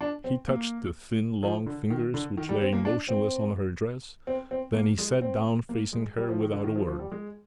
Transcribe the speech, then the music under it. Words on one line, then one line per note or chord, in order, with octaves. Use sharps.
He touched the thin, long fingers which lay motionless on her dress, then he sat down facing her, without a word.
D4
C4
A#3
F3
D3
D#3
D3
D#3
G3
C4
A#3
D4
C4
C4
C4
A#3
G#3
C4
A#3
G#3
G3
F3
D#3
D3
D#3
F3
F3
G3
G#3